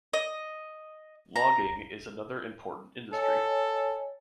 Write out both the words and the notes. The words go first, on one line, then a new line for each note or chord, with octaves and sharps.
Logging is another important industry.
D#5
A#5
A4 C#5 D#5 G#5